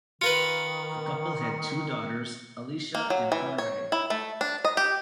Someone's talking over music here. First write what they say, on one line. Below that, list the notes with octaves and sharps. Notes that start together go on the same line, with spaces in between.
The couple had two daughters, Alicia and Honoree.
D#3 F4 A#4 B4 C#7
A#3
F#3
E3
C#5
E4
A3
D4
D#5
G4